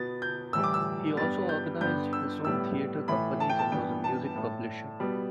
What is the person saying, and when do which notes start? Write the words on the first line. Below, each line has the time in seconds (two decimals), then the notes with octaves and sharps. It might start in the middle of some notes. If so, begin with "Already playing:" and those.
He also organised his own theatre companies and was a music publisher.
Already playing: B2 B3 A6
0.22 G6
0.53 A2 E3 G3 E6
0.64 D6
0.74 E6
1.17 G2 G3 B3 A6
1.49 G6
1.81 G2 D3 B3 G6
2.13 E6
2.45 A2 G3 B3 E6
3.08 A2 E3 A3 B5
3.40 A5
3.50 G5
3.59 A5
3.72 G2 E3 B3 G5
4.04 A5
4.35 A2 A3
5.00 B2 G3 B3